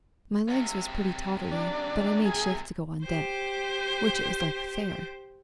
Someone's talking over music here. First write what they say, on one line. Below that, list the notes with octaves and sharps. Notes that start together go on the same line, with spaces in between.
'My legs was pretty tottly, but I made shift to go on deck, which it was like a fair.
C#2 C3
D4
G#4
G4 C5